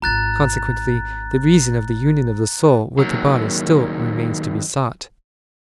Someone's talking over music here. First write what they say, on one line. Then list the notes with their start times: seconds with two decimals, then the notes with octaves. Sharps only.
Consequently the reason of the union of the soul with the body still remains to be sought.
0.02 G#1 F4 A#5 F#6 A6
2.99 D#2 F#3